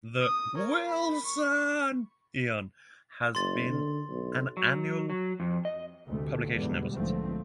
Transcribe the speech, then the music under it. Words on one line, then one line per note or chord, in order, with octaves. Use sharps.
"The Wilsonian" has been an annual publication ever since.
D#6
A#4 C#5
B5
C#6
F#1 C6 A6
D3
B1
F#3
F#3
F2
D#5
D2 C3 A3
E2 G#2 B2 D3 E3 G3
B1 G#2 D3 F3 A3 C4